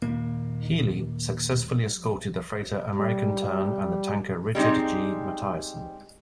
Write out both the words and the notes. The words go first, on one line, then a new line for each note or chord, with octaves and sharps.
"Healy" successfully escorted the freighter American Tern and the tanker Richard G. Matthieson.
D#2 A#2 A#3
G3
G3 G#3 C4 D#4